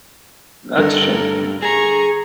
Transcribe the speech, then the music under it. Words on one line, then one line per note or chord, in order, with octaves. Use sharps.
That's a shame too.
G2 D3 A4 A#4
G#4 A#5 C#6